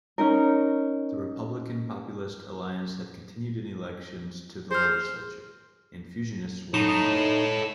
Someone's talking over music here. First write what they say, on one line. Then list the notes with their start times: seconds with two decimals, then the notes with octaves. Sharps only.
The Republican-Populist alliance had continued in elections to the legislature, and fusionists won control.
0.18 C#4 D#4 A#4
4.71 G#4 C5 F6
6.74 D#4 A4 C#5 E7